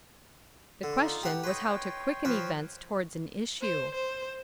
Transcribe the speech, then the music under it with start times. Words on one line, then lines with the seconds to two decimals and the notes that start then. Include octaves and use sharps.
The question was how to quicken events towards an issue.
0.83 D3
1.04 D#4 F4
1.23 G4 F#5
1.44 D#4 B4 C#5 G5 C6
2.25 F3 B4
3.61 C5
3.94 C5